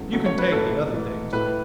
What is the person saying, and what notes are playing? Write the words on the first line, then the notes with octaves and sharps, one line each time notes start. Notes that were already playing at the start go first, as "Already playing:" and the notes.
"You can take the other things."
Already playing: E2 C#3 F#3 A3
E2 C#3 F#3 A3
C#5
B4
G#2 E3 A3 A4
G#2 E3 A3
A2 E3 A3 B4